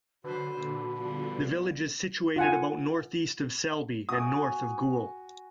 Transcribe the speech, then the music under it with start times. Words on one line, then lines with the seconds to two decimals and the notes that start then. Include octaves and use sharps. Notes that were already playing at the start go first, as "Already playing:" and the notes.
The village is situated about north-east of Selby, and north of Goole.
0.24 D3 F#3 F#4 B4 C5
0.57 A#2 D3
0.96 F3 G3 B3
2.36 F4 F#5 G#5
4.09 F#4 G#5 D#6